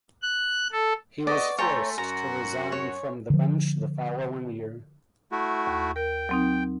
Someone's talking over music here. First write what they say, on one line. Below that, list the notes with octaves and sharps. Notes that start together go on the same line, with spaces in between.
He was forced to resign from the Bench the following year.
F#6
A4
B3 G#4 B4 D5 D#5 F#5 C#6
A3 C#5 G5 G#5 A#5 C6 A6
F#2 F#4 A#5
C#5
D3 F3
A3 E4 F#4
D#2
A#4 G5
F#3 C4 D#4